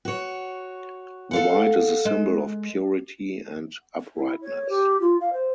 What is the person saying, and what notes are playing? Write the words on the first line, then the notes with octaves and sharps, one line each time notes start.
The white is a symbol of purity and uprightness.
F#4 C#5
A4 F5 F#5
G#3
E4
C#5
G4
F4
F5
C5